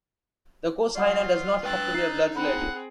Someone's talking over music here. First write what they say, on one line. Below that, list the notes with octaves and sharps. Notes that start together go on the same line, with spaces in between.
The co-signer does not have to be a blood relative.
F#3 F4 C#5 D5 F#5 D#6
B4 G5 E6 F#6 A6
D#4 C7
C4 G#4 F#5 B5